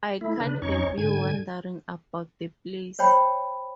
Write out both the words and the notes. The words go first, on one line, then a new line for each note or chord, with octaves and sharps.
I can't have you wandering about the place.
A3 E4
C#3 D4 B4
F2 C#4 D#4 C#5 C#6
G#2 D3 G#5 G#6
C5 C#5 G5 B5